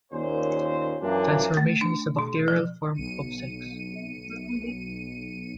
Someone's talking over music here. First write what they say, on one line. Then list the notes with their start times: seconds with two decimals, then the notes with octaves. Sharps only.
Transformation is a bacterial form of sex.
0.12 D#2 A#2 C#4 C5
1.01 F#2 A#2 E3 A#3 D4
1.57 A3
1.81 D4
2.19 B2
2.48 F3
2.94 B1 C#7 D#7